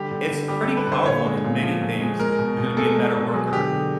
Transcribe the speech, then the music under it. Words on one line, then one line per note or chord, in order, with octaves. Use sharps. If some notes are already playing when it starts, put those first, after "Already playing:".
it's pretty powerful in many things. You're gonna be a better worker,
Already playing: D3 G3 G4
D3
D3
G3 G4
A4
G3
B4
D3 C5
A#2 C#5
G#3
A#2
F3
A#2
G#3
G#3 A#4
B2
B2
G#3 A4
G#3
B2
F#3 G#4
D3 G4
D3